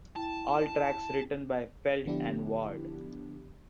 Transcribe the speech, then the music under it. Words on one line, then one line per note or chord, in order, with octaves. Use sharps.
All tracks written by Felt and Ward.
E4 G5 A5
D3 F3 B3 D4 E4 G4